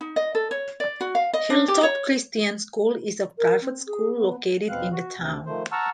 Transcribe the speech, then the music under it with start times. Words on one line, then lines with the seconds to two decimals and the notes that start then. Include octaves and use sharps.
Hilltop Christian School is a private school located in the town.
0.01 D#4
0.16 D#5
0.35 A4
0.51 C#5
0.80 D5
1.01 F#4
1.15 F5
1.33 D#5
1.50 D4
1.68 G4
1.83 C#5
3.37 A#4
3.61 C4
3.86 G#4
4.15 B3
4.69 E2 B2 B3 C4 F5 F#6
4.92 F#4
5.17 D2 C3
5.46 D#3 F3 A3 C5
5.72 F#5 A5 A#5 C#6 E6 F6